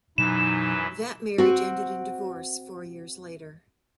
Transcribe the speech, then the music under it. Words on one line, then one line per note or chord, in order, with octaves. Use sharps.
That marriage ended in divorce four years later.
F#2 B2 E3 F#3 D#4 B4 E7
C4 F#4